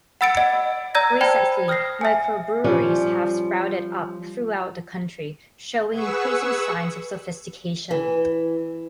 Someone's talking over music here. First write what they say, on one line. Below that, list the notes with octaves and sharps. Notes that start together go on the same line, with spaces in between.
Recently, microbreweries have sprouted up throughout the country, showing increasing signs of sophistication.
F#5 B5 E6 A6 C#7 D7
D#5 F#5
D5 A#5 E6 G6 G#6 A#6
C5 G5 A5 B5 G#6
D#6 F6 G6 A#6 C7
E5 G#5
F3 G3 C#4
G#4 B4 F#5 C#6 E6
E3